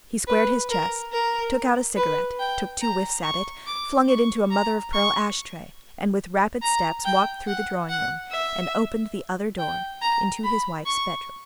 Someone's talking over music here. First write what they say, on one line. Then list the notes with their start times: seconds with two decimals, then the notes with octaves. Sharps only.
He squared his chest, took out a cigarette, took two whiffs at it, flung it into a mother-of-pearl ashtray, and with rapid steps walked through the drawing room, and opened the other door into his wife's bedroom.
0.27 B4
0.70 A#4
1.12 A#4
1.97 B4
2.39 G5
2.81 A#5
3.23 C#6
3.66 D6
4.08 C#6
4.51 A#5
4.93 C#6
6.62 A#5
7.05 G5
7.47 F#5
7.89 F#5
8.32 E5
9.58 G5
10.01 A#5
10.44 B5
10.86 C#6